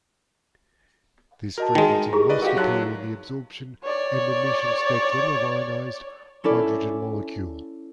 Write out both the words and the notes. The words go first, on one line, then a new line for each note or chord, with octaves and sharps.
This frequency must appear in the absorption and emission spectrum of ionized hydrogen molecule.
F#4 A#4 D#5 A5
D#3 G#3
E4 G4 G#4 C#6
B4 D5 D#5
F#4 G4 A#4 F5
F#3 D#4 F#4 E5 F#6
C#5 D5
C#4 E4 A4 D5